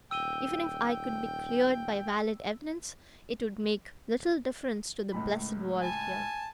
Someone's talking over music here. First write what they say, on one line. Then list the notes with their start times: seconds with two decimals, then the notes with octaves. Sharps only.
Even if I could be cleared by valid evidence, it would make little difference to the blessed world here.
0.11 D#1 G5 E6 D#7 G7
5.12 C#2 A2 B5
5.81 G#5 A5